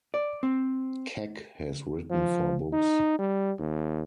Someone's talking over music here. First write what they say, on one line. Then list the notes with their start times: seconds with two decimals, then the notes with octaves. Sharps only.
Keck has written four books.
0.14 D5
0.43 C4
2.11 F3
2.73 D#4
3.19 G3
3.59 D#2